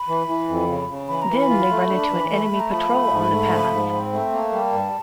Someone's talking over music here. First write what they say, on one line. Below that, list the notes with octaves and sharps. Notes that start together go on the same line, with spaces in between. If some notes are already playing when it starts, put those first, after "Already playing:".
Then they run into an enemy patrol on the path.
Already playing: B5
E3
E3
F2
C#3
C#3
E3 B5
A#5
E3
B5
F4
A3
D4
E3
A3
A3
A#5
F3 B5
A3
G#2
A3
F3
G#2
C4
A3
A#3 A5
G3
G2